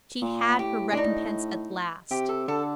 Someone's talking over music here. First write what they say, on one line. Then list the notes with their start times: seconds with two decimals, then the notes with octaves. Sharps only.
She had her recompense at last.
0.21 A#2
0.59 A2 G4
0.93 D4
0.97 D#4
2.10 C3 G4
2.29 A4
2.48 D3 A4